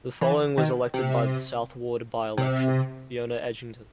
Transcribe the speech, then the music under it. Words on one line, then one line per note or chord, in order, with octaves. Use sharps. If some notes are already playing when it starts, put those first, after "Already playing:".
The following was elected in the South Ward by-election: Fiona Edgington.
E3
D#3
C3
C3